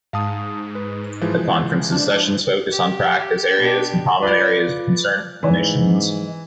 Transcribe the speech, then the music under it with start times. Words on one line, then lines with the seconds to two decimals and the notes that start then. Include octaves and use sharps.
The conference's sessions focus on practice areas and common areas of concern for clinicians.
0.13 G#2 F5 A5 D#6
0.75 B4
1.21 E3 F3 G#3
1.92 D4
2.71 G4
3.57 B2 D4 G4
4.23 F4 B4 D5
5.43 G#2 E3